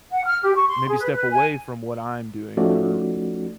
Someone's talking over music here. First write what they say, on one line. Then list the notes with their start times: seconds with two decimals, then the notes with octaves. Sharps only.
maybe step away from what I'm doing, or
0.11 F#5
0.25 F6
0.43 G4
0.55 C#6
0.68 C6
0.88 G#4
0.99 B4
1.12 B4
1.31 G#5
2.57 F3 A3 C#4 D#4 F#4 D5